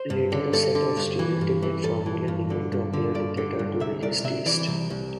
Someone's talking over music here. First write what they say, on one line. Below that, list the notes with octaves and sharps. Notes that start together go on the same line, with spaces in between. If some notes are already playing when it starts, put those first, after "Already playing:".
Later a set of stereotypic formulae began to appear to cater to various tastes.
Already playing: C5
G2
D3
G2 A4
D3
G2
E3
G2
E3
G2 A4
E3
G2
D3
G2
D3
G2 D5
D3
G2
C2 E5
C2 D5
C3 E5
E3 D5
C2
C2